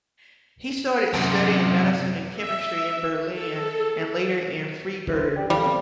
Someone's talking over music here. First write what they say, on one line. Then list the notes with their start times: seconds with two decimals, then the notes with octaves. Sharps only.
He started studying medicine and chemistry in Berlin and later in Freiburg.
1.14 F#2 C3
2.39 E5
3.32 A4
5.10 E4 B4 C5
5.36 G4 D5 G5
5.50 E3 G3 A4 F5
5.66 C4